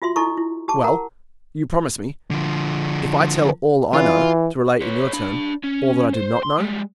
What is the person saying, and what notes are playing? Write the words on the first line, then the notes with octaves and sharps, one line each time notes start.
"Well, you promise me, if I tell all I know, to relate, in your turn, all that I do not know?"
F4 F#4 E5 C6
D#4 E4 A4 D#5 A#5 C#6
E4
G4 A5 D6
A#4 F#5 A#5
D3 F3
E3 F4
B4 C#5
D4 B5
C#4
C5
C6
G3 G#3